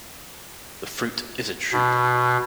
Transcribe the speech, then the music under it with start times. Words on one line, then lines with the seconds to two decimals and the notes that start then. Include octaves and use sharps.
The fruit is a drupe.
1.72 B2